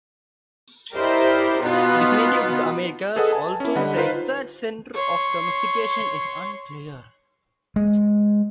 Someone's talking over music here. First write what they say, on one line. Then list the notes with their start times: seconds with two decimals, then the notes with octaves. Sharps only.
It is native to the Americas, although the exact center of domestication is unclear.
0.94 E4 G4 A#4 C5 D5 D#5
1.60 B2 B3 D#4 F4 B4
3.16 G#4 A4 B4 D#5 F#5 D#6
3.33 G#5 A5
3.60 C#4 E4
3.75 D3 G3 D#5 F#5 B5
3.96 D#4 F4 B4 C5
4.94 C#5 C6
7.76 G#3